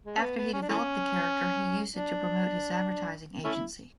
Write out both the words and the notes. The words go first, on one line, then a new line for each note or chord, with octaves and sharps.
After he developed the character, he used it to promote his advertising agency.
G#3
C#4
B3
B3
C#4
D4
E3 A3 C#4
D4
A3 C#4 E4